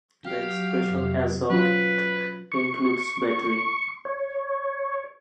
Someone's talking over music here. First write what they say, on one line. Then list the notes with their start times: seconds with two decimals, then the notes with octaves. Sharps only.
The expression assault includes "battery".
0.25 F#3 G4 F5
0.85 F2 C3
1.50 F#3 C#4 F4 B4
2.52 C#6
4.05 C#5